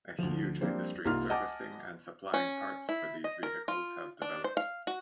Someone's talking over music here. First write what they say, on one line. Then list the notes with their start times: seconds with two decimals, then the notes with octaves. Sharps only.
A huge industry servicing and supplying parts for these vehicles has developed.
0.19 D2 F3
0.61 F3 G3 A#3 C4 D4 C5
1.05 C2 A#3 D#4 F4 C6 F6
1.30 D#5 F#5 G#5 A5 D6
2.34 C#4
2.89 E4
3.24 D#5
3.43 A#4
3.68 F4
4.22 D4
4.44 C5
4.57 F5
4.87 F#4